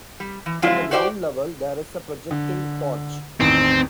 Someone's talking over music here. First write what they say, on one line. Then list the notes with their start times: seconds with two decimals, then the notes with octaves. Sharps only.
At the ground level, there is a projecting porch.
0.20 G3
0.46 E3
0.62 F3 F#3 G#3 C4 E4 F4
0.91 F#4 G4 C5 D5 E5 G5
2.31 D3
3.40 A1 E2 D#3 C4